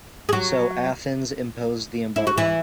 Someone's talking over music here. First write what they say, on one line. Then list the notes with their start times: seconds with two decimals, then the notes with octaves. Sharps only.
So Athens imposed the embargo.
0.29 G#4
0.33 F#3 F#4
2.16 E4
2.27 F#4
2.38 E3 E4